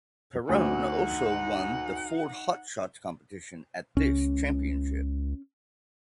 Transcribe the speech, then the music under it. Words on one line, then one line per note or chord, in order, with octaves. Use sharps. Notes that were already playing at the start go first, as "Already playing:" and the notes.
Perron also won the Ford Hot Shots competition at this championship.
D2 D#4 F#5
C#2 C#4